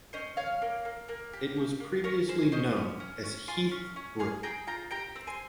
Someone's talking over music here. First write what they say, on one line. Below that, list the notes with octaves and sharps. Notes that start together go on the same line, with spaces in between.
It was previously known as "Heathe Brook".
C#4 C5 D#5
C#4 C#5 F5
A#3
A#3
A#3
G4
G4
A#3
C#4 A#4 C#5
G#4 C5
C#4 C5 D#5
C#4
C#4
C#4
F4 G#5 C6
C#4
C#4
G#4 F5 G#5
G#4 G5 A#5
F4 G5 A#5
G4 G5 A#5
C4
G#5 C6